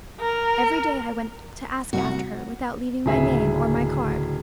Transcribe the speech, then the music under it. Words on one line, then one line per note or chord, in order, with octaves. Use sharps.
Every day I went to ask after her, without leaving my name or my card.
A#4
C2 F#4
D1 C#3 G#4 E5